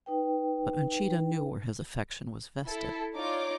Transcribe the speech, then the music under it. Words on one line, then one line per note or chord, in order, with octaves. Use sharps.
But Uncheedah knew where his affection was vested.
D#4 B4 G5
E4 A4
D#4 F4 C#5 D5 D6